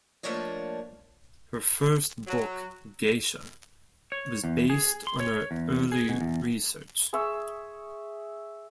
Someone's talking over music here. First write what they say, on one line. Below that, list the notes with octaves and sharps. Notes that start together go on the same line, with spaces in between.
Her first book, "Geisha", was based on her early research.
F3 A3 A#3 D4 C#5 D#5
F#3
C#5
E2
G#4
C6
C#5
E2
G#4
B2
E2
G#4 E5 C#6 E6